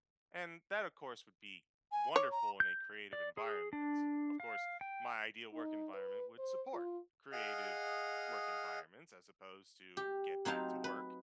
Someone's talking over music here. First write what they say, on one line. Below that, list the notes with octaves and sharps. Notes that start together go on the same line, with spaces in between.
And that, of course, would be wonderful in a creative environment, of course, my ideal work environment would support creative work environments as opposed to "get back to work"
G#5
C#5 D6
A#5
G6
D5
G#4
D4
F5
G5
D#4
B4
C5
F4
G#4 D#5 F5 F#5 D#6 F6
G4
F#3 C4 D#4 F5 A5
B4